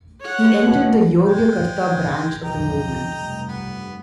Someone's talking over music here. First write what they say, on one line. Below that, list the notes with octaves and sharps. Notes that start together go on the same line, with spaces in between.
He entered the Yogyakarta branch of the movement.
C#5 F#5
B2
G#3 G5
B1 F2 D#5 G5 A#5
F1 G2
B3